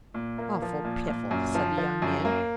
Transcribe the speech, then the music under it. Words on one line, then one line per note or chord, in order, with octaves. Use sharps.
"Awful piffle," said the young man.
A#2
A#3
F3
A#2
A#2
F#2
F3
F3
F#2
A#3